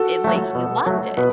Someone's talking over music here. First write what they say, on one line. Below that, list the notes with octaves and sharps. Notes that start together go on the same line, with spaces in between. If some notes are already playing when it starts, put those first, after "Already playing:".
it like he loved it!
Already playing: F#4 A4
F#3 A3
B2
F#3 A3
B2 B4